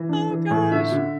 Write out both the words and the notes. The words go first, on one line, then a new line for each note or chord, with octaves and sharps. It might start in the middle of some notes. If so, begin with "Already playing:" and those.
Oh gosh.
Already playing: E3
D4
E3
A2
D3 E5
D3